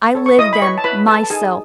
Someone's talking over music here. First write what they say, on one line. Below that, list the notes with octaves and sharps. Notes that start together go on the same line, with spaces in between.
I lived them myself.
A4 C#5
C#6
E4 D#5 D#6
B5
B4 C#5 C#6
A5
E4 B4 B5
A4 B4 A5
A5
D#4 G#4 G#5